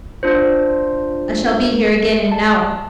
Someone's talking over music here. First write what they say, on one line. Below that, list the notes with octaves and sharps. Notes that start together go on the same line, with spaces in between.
I shall be here again in an hour.
D4 F4 C5
A5